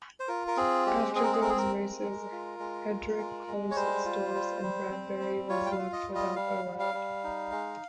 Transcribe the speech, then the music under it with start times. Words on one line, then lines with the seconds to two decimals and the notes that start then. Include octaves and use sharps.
After those races, Hedrick closed its doors and Bradberry was left without a ride.
0.20 C5
0.28 F4 A#4
0.47 A#4
0.57 C4 G#4
0.86 G#3 G4
1.15 C4 G#4
1.23 A#4
1.33 G#4
1.41 C4 A#4
1.49 G#4
1.58 A#4
1.73 G#3
2.02 G#3
2.32 F4
2.59 G#3
2.89 F4
3.18 G#3
3.48 G#3
3.71 C#5
3.75 G3 C5
4.05 F4
4.34 G3
4.62 G3
4.91 C4
5.20 G3
5.49 F4 C#5
5.66 G5
5.72 F5
5.79 F4
5.93 D#5
6.08 G3
6.15 D#5
6.36 G3 F5
6.65 G3
6.80 F5
6.94 G3
7.24 D#4
7.52 G#3